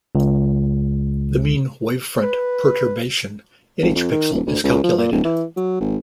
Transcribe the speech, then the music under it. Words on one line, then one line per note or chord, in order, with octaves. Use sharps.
The mean wavefront perturbation in each pixel is calculated.
C#2
B4
G#1
F2
D#3
D#1
D2
C#2
F3
A#2
D1
E3
F#3
G#1